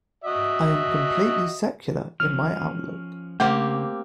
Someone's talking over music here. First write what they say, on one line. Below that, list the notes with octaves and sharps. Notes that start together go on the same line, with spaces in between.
I am completely secular in my outlook.
F#4 D#5 E5
F3 C#4 F6
C#3 A3 A#3 C4 G4